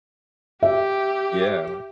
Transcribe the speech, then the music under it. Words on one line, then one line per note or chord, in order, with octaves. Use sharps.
Yeah, like
G4 E5